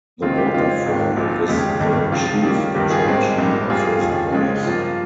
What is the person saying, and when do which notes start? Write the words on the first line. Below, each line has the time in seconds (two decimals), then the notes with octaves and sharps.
The waterfall is the chief attraction of this place.
0.22 C#2 C3 D#3 G#3 C4 F4
0.38 G4
0.54 F2 C#3 G#3 C4 F4
0.86 G#1 G#2 D#3
1.17 A#1 A#2 F3
1.48 F1 D#2 C#3 G#3 G4
1.80 G#1 G2 D#3
2.12 C#2 C3 F3 F4
2.43 D#2 C#3 G3 A#3
2.75 G1 G2 D#3 A#3 G4
2.90 F4 G#4
3.06 G#1 G2 D#3 G#3 C4
3.38 A#1 G#2 G3 A#3
3.70 G2 G3 A#3 F4 G#4
4.01 F1 D#2 C#3 F3
4.33 C#2 C#3 G#3 C4 F4
4.65 G2 F3 A#3 F4